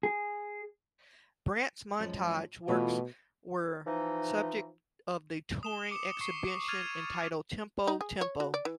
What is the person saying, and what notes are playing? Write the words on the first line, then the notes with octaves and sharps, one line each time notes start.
Brandt's montage works were subject of the touring exhibition entitled Tempo, Tempo!
G#4
F#2 F3 G#3
B2 E3 A3 F4
E3 F3 D#4
D#6 E7 G7
D6 C#7
C#6 C7 C#7
F6 G#6 A6 D#7 F7
D#4
G#4
C#5
F#4
D5
E3